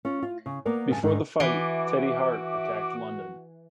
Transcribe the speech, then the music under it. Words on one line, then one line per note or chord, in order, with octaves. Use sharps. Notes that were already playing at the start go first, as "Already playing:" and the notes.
Before the fight, Teddy Hart attacked London.
C#4 F4
F4
C#3
A#3 B3 A#4 D5
G2 C#3 G#5 A5
G#2 D3 D#3 D#4
E3 F#4 E5 D6